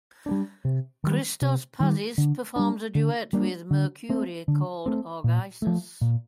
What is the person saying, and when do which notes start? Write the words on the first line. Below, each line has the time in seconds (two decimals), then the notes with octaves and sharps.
Christos Pazis performs a duet with Merkouri called "Argises".
0.26 A#3 D4
0.31 G3
0.65 C3
1.04 D#3 G3
1.42 C3
1.80 D#3 G3
2.18 D3
2.56 G3 A#3 D4
2.95 D3
3.33 G3 A#3 D4
3.71 D3
4.09 A3 C4
4.48 D3
4.86 A3 C4
5.24 A#2
5.62 F3 A3
6.01 A#2